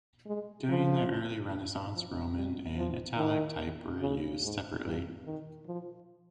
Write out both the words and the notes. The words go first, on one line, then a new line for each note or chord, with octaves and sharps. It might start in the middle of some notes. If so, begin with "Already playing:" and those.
During the early Renaissance, roman and italic type were used separately.
G#3
F3
F3
G3
F3
D#3
C#3
G#2
G2
D#3
F3